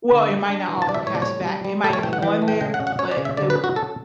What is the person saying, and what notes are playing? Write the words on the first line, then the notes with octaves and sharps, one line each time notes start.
Well it might not offer cash back it might be on there, but it w
D3
G3
D4
E3
A5
G3 D5
E5
A2 C#5
D5
G3 C#5
G3
G3
A3 A4
C#5
E3 G5
F#5
E3 G5
A3
G5
C#3 G5
F#5
C#4
F#5
C#4 C#5
D5
C#3
E5
D3 D5
B4
C#4
F#4
C#4 A4